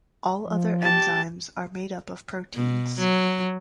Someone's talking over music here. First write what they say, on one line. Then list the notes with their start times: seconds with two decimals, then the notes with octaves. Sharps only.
All other enzymes are made up of proteins.
0.44 F3
0.81 G4 A5
2.54 B2
2.99 F#3